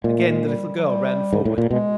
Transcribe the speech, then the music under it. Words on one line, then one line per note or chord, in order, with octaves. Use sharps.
Again the little girl ran forward.
A#2 G#3
A3
G#3
G3
F#3
G3
G#2
A2
A#2
B2 G#3